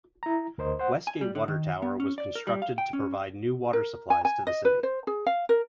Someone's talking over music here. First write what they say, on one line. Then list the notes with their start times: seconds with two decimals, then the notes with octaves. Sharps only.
Westgate Water Tower was constructed to provide new water supplies to the city.
0.23 E4 A#5
0.58 D2 A#4 C5 D#5
0.79 C5 F#5
1.07 G#5
1.21 G3
1.35 D3
1.48 D#3
1.82 B3
2.00 C#4
2.18 D5
2.35 A#4
2.47 G3
2.62 F5
2.78 G5
2.93 C#4
3.73 A#4
4.10 G#5
4.25 G#5
4.47 D#5
4.65 B4
4.83 C5
5.07 G#4
5.27 F5
5.49 A#4